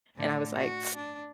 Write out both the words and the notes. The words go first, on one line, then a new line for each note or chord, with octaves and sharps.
and I was, like,
A2 D3
F#4
D4